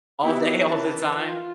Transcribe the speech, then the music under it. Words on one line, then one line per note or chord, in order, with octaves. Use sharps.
all day, all the time?
B3 D#4 E4 F#4 G4
D#3 E3 C#4 A5
F4